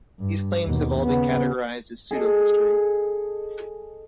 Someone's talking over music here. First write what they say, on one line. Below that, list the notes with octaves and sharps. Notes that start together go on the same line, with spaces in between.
These claims have all been categorized as pseudohistory.
G2
D#2 B2
C#3 B3
G#4 A4 D#5